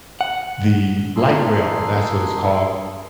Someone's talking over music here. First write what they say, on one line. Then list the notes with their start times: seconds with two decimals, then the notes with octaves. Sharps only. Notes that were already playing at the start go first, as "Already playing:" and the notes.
the Light Rail that's what it's called,
0.21 F#5
1.16 A#3 G#4 A4 C6